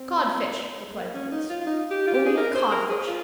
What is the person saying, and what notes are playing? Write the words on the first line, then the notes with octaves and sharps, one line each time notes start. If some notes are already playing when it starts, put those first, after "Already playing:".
"A codfish," replied the voice, "only a codfish."
Already playing: C4
A#3
C#4
D#4
F4
F4
D#4
G4
F4
G4
G#4
A#4
C5
A#4
G#4
F4